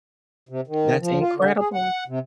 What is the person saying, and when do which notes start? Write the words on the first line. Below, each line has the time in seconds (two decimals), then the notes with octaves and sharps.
That's incredible.
0.49 C3
0.67 D#3
1.00 F3
1.20 F4
1.34 D3
1.59 G#4
1.74 F#5
2.08 C3